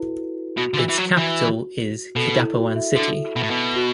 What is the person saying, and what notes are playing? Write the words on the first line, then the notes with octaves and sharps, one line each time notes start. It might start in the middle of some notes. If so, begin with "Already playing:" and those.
Its capital is Kidapawan City.
Already playing: E4 F#4 A4 B4
B2 F#4
D3
E3
E3
F#3
E3
B2 A4
E4
F#4
E5
D3 A4
B2
A2
B2
F#4